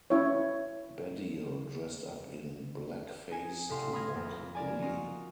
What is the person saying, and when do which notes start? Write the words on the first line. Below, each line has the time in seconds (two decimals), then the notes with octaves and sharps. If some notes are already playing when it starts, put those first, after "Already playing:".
Baddiel dressed up in blackface to mock Lee.
0.10 C#4 E4 C#5
3.31 D#4 G#5 E7
3.69 C2 A2 E5 F5 C6
3.93 B5 C6 D#6 F6 G#6 A#6
4.14 F2
4.55 A#4 D5 G#5
4.82 D#4 F4 F#4 D#5 F5